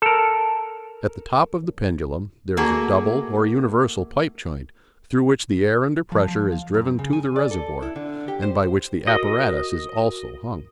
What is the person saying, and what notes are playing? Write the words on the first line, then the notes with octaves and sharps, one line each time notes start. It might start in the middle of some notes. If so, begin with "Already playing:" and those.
At the top of the pendulum there is a double or universal pipe-joint through which the air under pressure is driven to the reservoir, and by which the apparatus is also hung.
A4 A#4
A3 A#3 F#4 G#4
F3
F3
F5
F#2
C#3
G#5
D5
A4
E4
D3
G4
C5
F#4 A#4 D#5